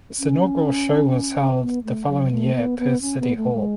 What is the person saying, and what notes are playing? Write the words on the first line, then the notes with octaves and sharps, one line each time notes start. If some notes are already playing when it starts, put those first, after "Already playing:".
Its inaugural show was held the following year at Perth City Hall.
C#4
B3
A3
F#3
A3
B3
B3
C#4
B3
A3
G#3